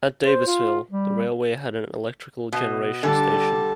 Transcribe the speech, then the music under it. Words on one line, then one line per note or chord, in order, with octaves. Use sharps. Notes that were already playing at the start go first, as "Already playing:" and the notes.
At Davisville, the railway had an electrical generation station.
C5
F4
G3
B2
D3 G3 A5